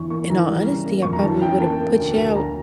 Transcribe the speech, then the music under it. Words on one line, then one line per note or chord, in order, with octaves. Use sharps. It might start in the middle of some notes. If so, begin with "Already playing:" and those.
in all honesty, I probably would have put you out
Already playing: E2 E3 C#6
A#3 C#6
E3 A#5
G3
C#3
A#3
F2 C#6
A#5
E3 A5
C#4 G5
A#3 A5
A#3
D2
D2
D2 A#5